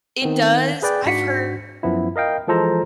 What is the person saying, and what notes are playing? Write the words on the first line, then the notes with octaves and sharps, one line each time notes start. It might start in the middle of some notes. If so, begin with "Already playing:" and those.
it does I've heard
D#3 B3 C4
G#4 B4 D5 G5
G#2 D4 F#4 B6 C#7
F#2 F3 B3 E4
A#4 D#5 F5 G5
E3 F3 G#3 A4 C5 A#5